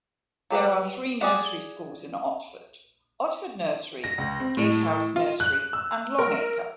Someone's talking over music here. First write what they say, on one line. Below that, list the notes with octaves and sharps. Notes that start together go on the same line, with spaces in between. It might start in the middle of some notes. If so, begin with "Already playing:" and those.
There are three nursery schools in Otford: Otford Nursery, Gatehouse Nursery and Longacre.
F#3 G4 B4 F#5
G#4 D5 F#5
A#6
C#2
C4
A2
F4
F#6
E6
A#4